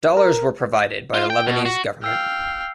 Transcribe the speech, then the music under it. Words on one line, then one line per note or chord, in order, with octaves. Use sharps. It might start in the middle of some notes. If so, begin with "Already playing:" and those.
Dollars were provided by the Lebanese government.
A#4
F4
G5
B2
F#4
F5 G5 E6 C7